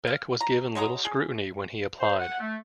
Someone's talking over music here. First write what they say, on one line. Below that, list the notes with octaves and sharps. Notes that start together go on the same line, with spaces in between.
Beck was given little scrutiny when he applied.
F5
A#5
F#3 G#3 G#4 A#5
G#4
C5
F#5
A3